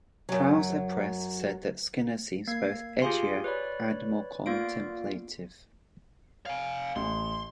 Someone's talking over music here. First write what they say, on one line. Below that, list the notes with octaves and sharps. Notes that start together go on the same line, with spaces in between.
Trouser Press said that Skinner seems both edgier and more contemplative.
F#2 F#3
A#3 G#6 C7
F4 G4 G#4 F5 G#5 C6
B4 C#5 D5 B5
A#3 B3 F4 D5 F5 D7
F5 G#5
A1 C6